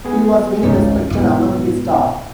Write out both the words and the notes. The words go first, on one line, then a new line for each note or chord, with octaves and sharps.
He was very respected among his staff.
B3 G#4
G#1 C#2 C#4 D#4
G#2 B2 B3 E4 F4